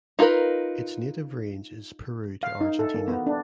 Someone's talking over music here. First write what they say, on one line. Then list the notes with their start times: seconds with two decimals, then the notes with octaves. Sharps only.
Its native range is Peru to Argentina.
0.19 D#4 F4 G#4 A#4 B4
2.43 F5
2.61 D#4
2.79 A4
2.94 A#3
3.08 B3
3.27 D4